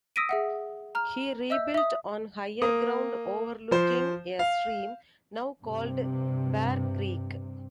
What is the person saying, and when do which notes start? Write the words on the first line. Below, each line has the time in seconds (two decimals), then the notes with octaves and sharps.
He rebuilt on higher ground overlooking a stream, now called Ware Creek.
0.16 D#6 E6 A#6 B6 D7 D#7
0.29 G#4 E5 F#5
0.95 A#5 F6
1.50 D#5 E5 E6 G6
1.74 E5 D#6
2.62 A#3 D#6
3.71 F3 C5
4.39 F5
5.61 G2 C3